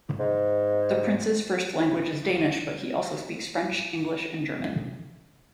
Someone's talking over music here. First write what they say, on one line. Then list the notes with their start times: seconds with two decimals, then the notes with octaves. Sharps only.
The Prince's first language is Danish, but he also speaks French, English and German.
0.19 G#2